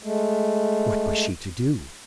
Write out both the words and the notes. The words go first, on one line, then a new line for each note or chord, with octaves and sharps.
What was she to do?
G#3 A3